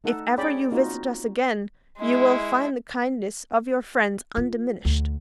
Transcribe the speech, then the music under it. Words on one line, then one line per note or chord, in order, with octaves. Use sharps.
If ever you visit us again, you will find the kindness of your friends undiminished.
A3 D#4 A4 F#5
C#4 G#4 C#5 D5 G5 B5
A#3 C4 D#4 F4 F#4
G#3 E4
F4
D2